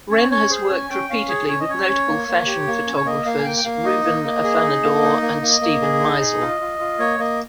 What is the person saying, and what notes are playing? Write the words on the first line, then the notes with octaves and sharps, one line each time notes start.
Renn has worked repeatedly with notable fashion photographers Ruven Afanador and Steven Meisel.
C#4 C#5
C#4 C#5
G#4 C5
C#4 G#5
C#4 G5
C#4 F5
G#4 C#5
C#4 C#5
D#5
C#4 C#5
C#4
A#3
A#3
G4
A#3
C#4
C#5
A#3 D#5
A#3 F5
G#5
A#3 G5
G5
A#3 F5
D#4 D#5
A#3
A#3
G#4
D#4
A#3
D#4
A#3
A#3
A#3
G#4
D#4
G#4
F4
F4
F4
A#3 C#5
A#3 D#5